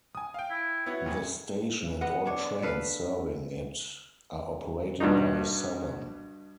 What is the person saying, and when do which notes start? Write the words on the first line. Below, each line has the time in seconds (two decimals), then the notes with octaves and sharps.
The station and all trains serving it are operated by Southern.
0.15 G#5 D#6
0.34 F5 G5
0.50 E4
0.86 B3 E4 F#4 C#5
1.05 D#2 A#2 C#3
2.01 B3 D#5 F#5
2.26 D4 C#5
2.62 A4 B4 F5
5.00 G2 B2 D4 D#4